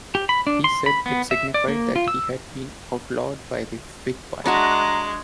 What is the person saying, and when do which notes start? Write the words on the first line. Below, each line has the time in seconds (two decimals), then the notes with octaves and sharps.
He said it signified that he had been "outlawed" by the Whig party.
0.15 G4
0.29 B5
0.47 D4
0.64 C6
0.86 B5
1.06 B3
1.31 E5
1.54 D5
1.68 A#3
1.96 F4
2.08 E6
4.46 G#3 D4 F#4 E5 A#5